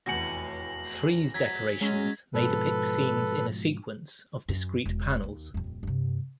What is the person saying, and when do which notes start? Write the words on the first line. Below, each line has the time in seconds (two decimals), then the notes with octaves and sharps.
Frieze decorations may depict scenes in a sequence of discrete panels.
0.06 F1 E2 A2 F#4 A#6 C#7 F#7
1.34 F#3 G#6 B6
1.81 F#3 G#3 C#4
2.34 G#2 B2 F3 A4 B4
4.49 F#2
4.86 E1
5.24 D#2
5.54 D#1 F2
5.83 G2 C3